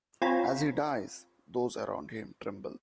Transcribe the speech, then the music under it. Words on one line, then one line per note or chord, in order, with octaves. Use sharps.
As he dies, those around him tremble.
C4 F4 C#5 G#5 A#5 B5